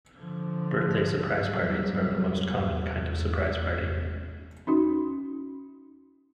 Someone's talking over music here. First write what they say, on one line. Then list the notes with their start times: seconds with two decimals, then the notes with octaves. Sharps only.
Birthday surprise parties are the most common kind of surprise party.
0.18 D3 F3
1.39 F#3 G3
4.67 C#4 D#4 F#4